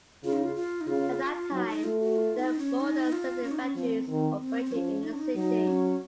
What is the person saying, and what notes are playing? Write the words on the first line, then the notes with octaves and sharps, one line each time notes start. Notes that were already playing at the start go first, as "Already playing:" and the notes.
At that time, there were more than seventy factories operating in the city.
C#3 F4
D#4
F4
F4
D#4
C#3 F4
F#3 D#4
D#4
A3 F4
F#4
F4
D#4
C#4
D#4
F4
C#4
D#4
C#4
F3 C4
D#3 C4
C4
C4
F3 C#4
D#4
C#4
D#4
F#3 D#4
C#4